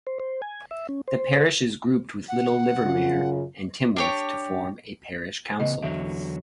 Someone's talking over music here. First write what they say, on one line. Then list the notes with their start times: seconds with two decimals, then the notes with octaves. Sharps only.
The parish is grouped with Little Livermere and Timworth to form a parish council.
0.07 C5
0.20 C5
0.42 G#5
0.71 E5
0.89 C#4
1.08 C5
2.28 F#5
2.84 F#2 C#3 F4
3.96 D4 G4 C#5
5.60 A2 C#3 B3 D#5
5.82 E2 D3 F#3 E5